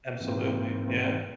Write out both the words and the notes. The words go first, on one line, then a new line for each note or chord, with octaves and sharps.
Absolutely. Yeah.
G#2 E3 A#3 C4